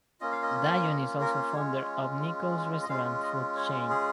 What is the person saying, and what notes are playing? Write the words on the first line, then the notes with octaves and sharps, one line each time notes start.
Dion is also founder of Nickels Restaurant food chain.
A#3 C#4 F4 D#5
F5
D#5
D#5
A#4
G#3 C#4 F4 C#5
D#5
G#3 C#4 F4 F5
D#5
C#5
G#4